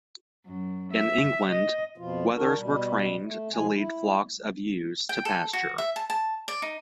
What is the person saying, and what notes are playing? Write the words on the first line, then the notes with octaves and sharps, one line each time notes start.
In England, wethers were trained to lead flocks of ewes to pasture.
F#2
E5
D#5
F2 B2 F3 F4
D#3 D4 F#4 A#4
B2 G3
A3
B2 F3 G#3 G#5
E4
G5
A4
F#4
E5
A5
A5
D5
D#4